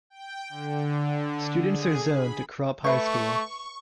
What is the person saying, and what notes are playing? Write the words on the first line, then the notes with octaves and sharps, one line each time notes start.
Students are zoned to Krop High School.
G5
D3
G#4
B5
A3 B4 E5 B5 C#6